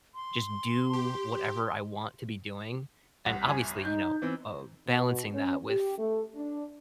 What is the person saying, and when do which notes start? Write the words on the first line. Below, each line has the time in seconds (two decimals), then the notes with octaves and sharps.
just do whatever I want to be doing, and, obviously, you know, uh, balancing that with,
0.15 C6
0.93 G4
3.26 C2 F#5 B6
3.45 G1 C2 G#5
3.85 D#4 G6
4.22 E3 B3 C4
4.88 B2
5.35 C#4
5.69 G4
5.99 A3
6.35 D4